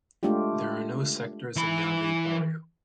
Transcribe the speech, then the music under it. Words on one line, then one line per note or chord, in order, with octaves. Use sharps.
There are no sectors in Llave barrio.
G#3 A3 D4 F4 G4
E3 B5